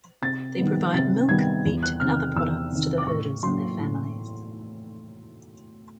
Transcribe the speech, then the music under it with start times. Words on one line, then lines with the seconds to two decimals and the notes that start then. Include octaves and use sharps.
They provide milk, meat and other products to the herders and their families.
0.22 C3 A6
0.58 D#3 G3 B3
0.94 C3 A6
1.29 D#3 G3 B3 G#6
1.65 E2
1.83 F#6
2.00 C3 D#3 F6
2.36 E2 E6
2.72 C3 D#3
2.98 D6
3.07 A2 C#6
3.43 F#3 A#3 C6
3.79 A2